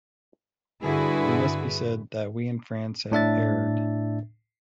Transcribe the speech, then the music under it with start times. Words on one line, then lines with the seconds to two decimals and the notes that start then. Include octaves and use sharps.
It must be said that we in France have erred.
0.83 G2 D3 E4 F#4 G#4 B4
3.12 A2 D4 E5 A6